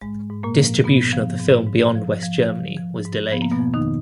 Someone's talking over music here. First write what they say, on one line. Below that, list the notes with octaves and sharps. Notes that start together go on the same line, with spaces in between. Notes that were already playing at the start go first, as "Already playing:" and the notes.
Distribution of the film beyond West Germany was delayed.
G#2 G#3
G#2
A#2 A#3
F3
G#2 B2 B3
F3
G#2
G#2
F3
F3
F3
F3
G#2
F3 B3
A#3
B2 B3
F2
D#3 D#4